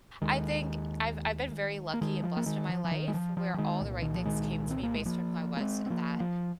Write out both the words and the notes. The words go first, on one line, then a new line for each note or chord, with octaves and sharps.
I think I've I've been very lucky and blessed in my life where all the right things came to me based on who I was in that
D#2 D#3 G#3
A#3
D#3 G#3
F3
A#3
D#3 G#3
F3
F3
D#3
G#3
F3
F3
F3
D#3 G#3
C2 A#2
D#3
F3
D#3 G#3
C4
A#3
G#3
F3 A#3
A#3
G#3 C4
C4
F3 A#3
F3